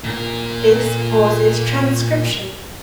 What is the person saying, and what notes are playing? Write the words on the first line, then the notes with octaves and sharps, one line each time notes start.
This pauses transcription.
A#2 A#4